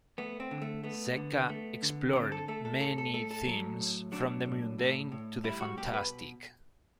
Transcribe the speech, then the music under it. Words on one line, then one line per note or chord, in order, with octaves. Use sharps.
Zecca explored many themes from the mundane to the fantastic.
A3 B3
C4
D3
A3
A3 B3
D3
A3
D3
D3 C4
A4
A3 A4
A4
A2 A4
A4
A3 A4
A4
F#3
A2
F#3 D4
A2
A2
A2
G3 E4
F#4
B2 G4
B4